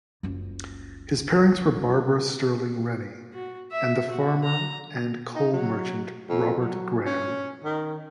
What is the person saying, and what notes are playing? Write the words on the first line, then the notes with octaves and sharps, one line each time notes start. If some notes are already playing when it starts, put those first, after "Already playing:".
His parents were Barbara Stirling Rennie and the farmer and coal merchant Robert Graham.
F#1 C#2
F#4
E5
F#4
A#5
D#4
F#3
F2
F#3
C#4
D#3